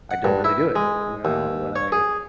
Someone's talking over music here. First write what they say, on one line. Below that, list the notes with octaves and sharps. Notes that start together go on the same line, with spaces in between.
I don't really do it, you know, when I
F#5
G2
E4
G#3
D#2
C#5
G#4